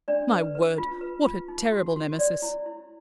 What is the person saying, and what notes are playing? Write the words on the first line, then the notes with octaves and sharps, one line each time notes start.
My word! what a terrible Nemesis.
D4 D5
B4
B4
F4
B4
F4
D#4
F#4
F#4
C#5 D5
E4
E4